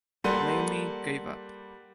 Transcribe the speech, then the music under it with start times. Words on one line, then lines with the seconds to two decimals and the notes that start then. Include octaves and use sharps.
Mamie gave up.
0.24 G3 A#3 A4 F#5 C6 D#7